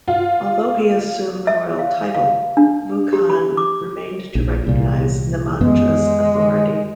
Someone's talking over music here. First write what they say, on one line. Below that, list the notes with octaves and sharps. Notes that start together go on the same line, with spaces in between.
Although he assumed royal title, Vukan remained to recognize Nemanja's authority.
F4
E5
F5
F5
D4
G4
B5
D6
A#1
C2 A#2
F#2 E3 G#3 B3